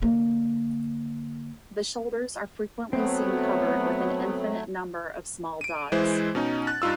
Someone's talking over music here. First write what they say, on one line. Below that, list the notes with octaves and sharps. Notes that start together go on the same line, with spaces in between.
The shoulders are frequently seen covered with an infinite number of small dots.
D3 A#3
F#3 A3 B3 C4
D7 D#7
E3 G#3 E4 C5
B2 C#4 D#4
F#6 A6
G2 D#4 F4 E6